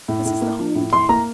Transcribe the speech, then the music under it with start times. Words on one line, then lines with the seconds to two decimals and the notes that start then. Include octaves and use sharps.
This is the home day.
0.08 A2
0.25 A2
0.42 A#3
0.59 F3
0.75 A2
0.93 A2 C6
1.09 A#3 A#5